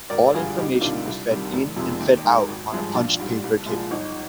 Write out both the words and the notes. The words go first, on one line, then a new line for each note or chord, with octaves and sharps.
All information was fed in and fed out on punched paper tape.
G#1 A#4 D5
G2 D3 F4 G#4
C2 D#4 G4
C3 D#3 D4 F4
C2
C3 D#3 G3
F1
F2 C3 D#3 G#3
D#2
D#3 G#3
G#1
G2 F3 G#3
A#1 D4 F4
G#2 G3
C2
A#2 F3 G#3
G1 D#4